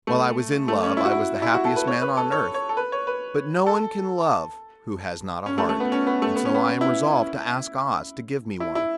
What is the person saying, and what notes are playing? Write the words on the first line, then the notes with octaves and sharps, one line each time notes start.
While I was in love I was the happiest man on earth; but no one can love who has not a heart, and so I am resolved to ask Oz to give me one.
A3
A3
C#4
E4
F#4
E4
E4
F#4
A4
B4
C#5
B4
A4
C#5
C#5
A4
B4
C#5
B4
A4
C#4
A3
A3
B3
C#4
B3
A3
B3
C#4
B3
E4
E4
E4